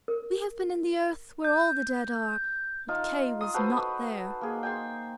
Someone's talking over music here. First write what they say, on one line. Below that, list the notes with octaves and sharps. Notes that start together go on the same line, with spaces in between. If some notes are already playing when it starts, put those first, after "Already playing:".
"We have been in the earth where all the dead are, but Kay was not there."
A#4
G6
D#4 F4
C6 D#6
F#4 A4 B4 C5
A#3 G#4
G5 G#5 C6